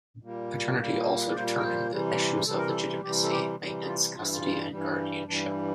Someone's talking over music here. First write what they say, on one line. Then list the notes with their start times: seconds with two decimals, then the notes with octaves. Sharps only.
Paternity also determine the issues of legitimacy, maintenance, custody and guardianship.
0.22 A#2 G3 A#3
0.79 A#2 G3 A#3
1.31 D5
1.35 A#2 G3 A#3 C5
1.58 A#4
1.62 C5
1.91 C3 E3 G3
2.47 C3 E3 G3 A4
2.57 A#4
2.67 A4
3.03 C3 E3 G3 G4
3.23 A4
3.31 G4
3.59 C3 E3 G3
3.87 F4
4.15 G2 E3 G3 F4
4.23 E4
4.32 F4
4.71 G2 E3 G3
5.27 G2 E3 G3 D4
5.46 E4